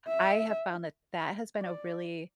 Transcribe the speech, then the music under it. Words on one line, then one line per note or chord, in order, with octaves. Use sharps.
I have found that that has been a really
E5
D5